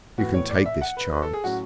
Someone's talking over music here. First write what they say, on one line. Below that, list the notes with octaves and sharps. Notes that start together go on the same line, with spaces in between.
You can take this chance.
A2 E3 B3 F#4
C#5
D5
E5
F#5
B4
B4
A4
G#4
A2 F#3 C#4 F#4